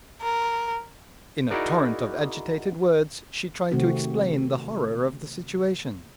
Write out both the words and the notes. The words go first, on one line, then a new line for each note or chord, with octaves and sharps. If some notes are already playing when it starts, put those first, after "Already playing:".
In a torrent of agitated words she tried to explain the horror of the situation.
A#4
D#4 E4 F#4 G#4 A#4 D5
C3 D#3 A3 C4 F#4